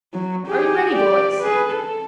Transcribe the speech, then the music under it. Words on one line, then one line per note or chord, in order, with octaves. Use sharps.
"Are you ready, boys?"
F#3
G4 G#4
G4 D5
G#4 B4
A4